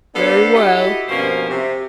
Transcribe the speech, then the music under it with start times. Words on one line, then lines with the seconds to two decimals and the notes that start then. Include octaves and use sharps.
Very well.
0.15 B3 D4 G4 A4 C5 F5
0.54 E4 F#4 G4 A4 D#5
1.08 G2 B2 F3 A#3 C#4 C5
1.49 C3